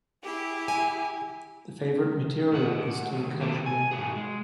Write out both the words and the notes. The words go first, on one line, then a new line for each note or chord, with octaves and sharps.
The favourite material is still cashmere.
E4 G4 G#4
G#5
A2 F#5
A2 D#3
A#3 C4 E4 G4 A4
G#5
G#2 F#3 F#4 G#4
G#3